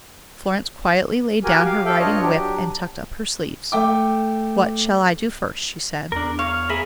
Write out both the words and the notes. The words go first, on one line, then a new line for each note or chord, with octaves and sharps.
Florence quietly laid down her riding whip and tucked up her sleeves. "What shall I do first?" she said.
F#4 G4 A#4 G#5
G4 F5
A4 E5 F5 G5
G2 D4 F4 C#5 D#5
F#3 D4 G4
A3 G5 D6
E2 D4 A#4
C#5 F5
G#4 A#4 E5 B5